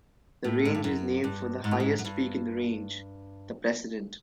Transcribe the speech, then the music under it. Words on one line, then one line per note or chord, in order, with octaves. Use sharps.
The range is named for the highest peak in the range, The President.
A2
G#2
G2
F#2
G2
G#2
A2
G#2
F#2
G2